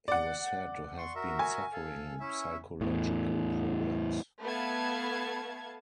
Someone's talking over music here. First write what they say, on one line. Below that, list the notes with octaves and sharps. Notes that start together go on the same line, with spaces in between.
He was said to have been suffering psychological problems.
D5 F#5
C6 C#6
F#4 A#4 E5
G#5
A4 F5
C#4 E4 E5
E2 A2
A3 B3 A4 F5 A5 G#6